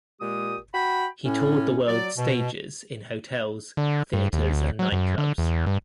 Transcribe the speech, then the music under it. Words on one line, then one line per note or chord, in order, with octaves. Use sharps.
He toured the world's stages in hotels, theaters and nightclubs.
A#2 G#3 G4 D#6
F#4 G5 B5
A2 C#4
F#3 D5
B2
D3
G2
D#2
D2
F#3
F#2
D3
E2
G2